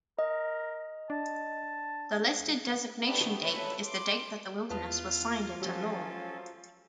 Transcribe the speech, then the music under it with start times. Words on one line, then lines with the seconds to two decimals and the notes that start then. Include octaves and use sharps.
The listed designation date is the date that the wilderness was signed into law.
0.19 A#4 D#5
1.10 D4 A5
3.05 A3 B3 D4 G4
3.43 A4 B4 C#5 E5
3.83 C6 D6 D7
4.70 E2 F4 B4 A5 D#6 F6
5.62 F3 F#3 C#4 G4 A4